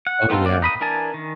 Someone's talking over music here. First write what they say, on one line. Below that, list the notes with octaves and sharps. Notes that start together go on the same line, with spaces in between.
oh, yeah.
F#5
B3 C4 D#4 F4 A4
A#3 D5
D#4 B5 D#6
E3 D4 A#4 G#5 A5
D#3